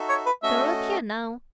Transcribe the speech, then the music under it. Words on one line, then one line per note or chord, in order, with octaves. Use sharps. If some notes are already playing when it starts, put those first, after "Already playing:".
Dorothea, now.
Already playing: D#4 F#4 A4 E5
C#5
B4
A3 C#4 F#4 A4 D#5 E5